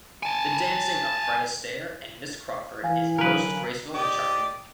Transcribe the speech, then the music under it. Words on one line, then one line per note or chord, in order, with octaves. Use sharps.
The dancing of Fred Astaire and Miss Crawford is most graceful and charming.
G#5 A5
E3 F5 G#5
D3 F#3 A#4 B4
G4 D5 D#5